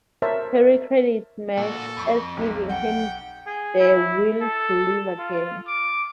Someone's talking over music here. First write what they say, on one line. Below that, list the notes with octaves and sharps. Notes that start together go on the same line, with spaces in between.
Kerry credits Max as giving him the will to live again.
A#4 C5 C#5 E5 A5
A#2 D4 F#4 A4
F2 B5 C#6
B1 A#3 G4
F#5 G5
G#4
E4
A4
F4
D6